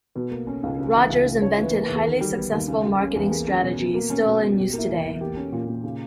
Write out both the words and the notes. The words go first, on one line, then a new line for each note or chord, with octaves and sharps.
Rogers invented highly successful marketing strategies still in use today.
B2 B4
A#3
C#4
C#2
C#3
E3
C#2
C#2
C#3 C#5
E3
B4
A#3
E2 B4
G#4
D#3 A#4
G3
B3
D#2
C#3
G3
C#4
E2
G4
A#3 G#4
C#4
B2
B2
A#3
C#4
B2
B2
B2 G4
A#3 E4
E2
E4
E2
A#3 G4
C#4
A#2
A#2
C#3